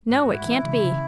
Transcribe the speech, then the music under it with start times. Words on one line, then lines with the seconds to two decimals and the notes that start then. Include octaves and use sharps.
No; it can't be!
0.09 G#2 F#4
0.27 G#3 E4
0.45 E3
0.63 C#3
0.81 C#3